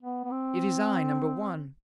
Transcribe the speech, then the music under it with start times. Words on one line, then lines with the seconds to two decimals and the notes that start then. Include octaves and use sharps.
It is I, Number One.
0.03 B3
0.24 B3
0.31 C4